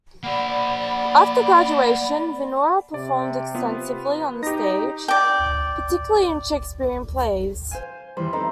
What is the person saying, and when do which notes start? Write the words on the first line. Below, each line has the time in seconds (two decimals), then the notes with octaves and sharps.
After graduation, Venora performed extensively on the stage, particularly in Shakespearean plays.
0.24 A#3 C5 D5 F#5 B5
2.94 C3 D5
3.55 B3 F4 B4
4.43 D#4 G4 A#6
5.08 D5 G5
7.71 C5 F5 G#5
8.17 E2 E3 G3 C5
8.33 B3 C4 D#4 A4